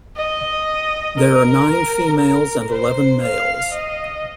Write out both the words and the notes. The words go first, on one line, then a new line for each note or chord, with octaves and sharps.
There are nine females and eleven males.
D#5
A#4
A#4
C5
F5
D#5